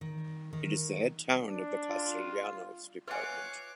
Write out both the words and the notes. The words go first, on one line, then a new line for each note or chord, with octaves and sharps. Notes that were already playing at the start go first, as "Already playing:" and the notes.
It is the head town of the Castellanos Department.
D#3
D#3
D4
F4
F4 B4 C#5 E5 F#5 G#5 D6